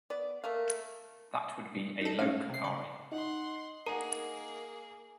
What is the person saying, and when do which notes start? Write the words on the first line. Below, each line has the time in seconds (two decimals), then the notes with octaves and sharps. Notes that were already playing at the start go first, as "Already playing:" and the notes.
That would be a "low kakari".
0.10 B3 D5
0.44 A3 A#3 A#4 F5
2.01 D#4 A4
2.19 C#4 F5
2.49 C3 C7
2.64 C#3 D5
3.11 D#4 F#5 C6
3.86 A#3 G#4 A#4 F#5 G#5 A#5